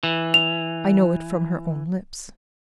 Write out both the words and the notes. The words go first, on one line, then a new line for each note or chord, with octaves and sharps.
I know it from her own lips.
E3
F7